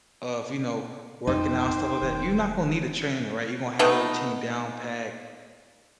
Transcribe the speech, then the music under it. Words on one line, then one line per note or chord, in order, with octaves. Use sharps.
of, you know, working out stuff like that, you're not gonna need a trainer, right? You're gonna have a routine down pat,
F2 G#3 D#4 A#4 C5 G5
E2
E1 D#3
A3 B3 D#4